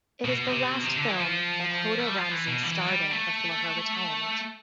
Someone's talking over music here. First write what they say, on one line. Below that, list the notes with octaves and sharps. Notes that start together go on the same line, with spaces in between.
It is the last film that Hoda Ramzi starred in before her retirement.
B2
C3
B2
C3
D3
E3
F3
A3
G3
F3
E3
B2
E3
G3
A3